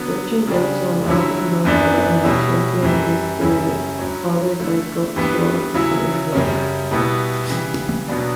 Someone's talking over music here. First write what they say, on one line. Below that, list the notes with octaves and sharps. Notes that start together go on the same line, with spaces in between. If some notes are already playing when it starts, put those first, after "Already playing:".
Bertrand Russell and Alfred North Whitehead championed this theory fathered by Gottlob Frege.
Already playing: D3 F#3 B3
C#3 G3 D4
G2 D3 F#3 C#4 E4
F#2 E3 B3 D4
B2 G3 C#4 E4
F#2 E3 G3
F#2 C#3 G3 C#4 E4
G2 F#3 C#4
D3 A3 E4
G2 E3 G3 B3
C#3 F#3 C#4 E4
F#2 C#3 G3 C#4
B2 G3 B3 E4
C#3 E3 G3
B2 F#3 B3 D4